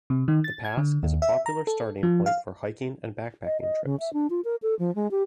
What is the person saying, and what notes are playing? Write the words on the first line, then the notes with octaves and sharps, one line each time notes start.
The pass is a popular starting point for hiking and backpacking trips.
C3
D#3
A6
G#6
D3
D#2
E5
A#5
A4
F3
F5
D#5
D#5
C#3
E5
D4
F4
A#4
A4
F3
G#3
G4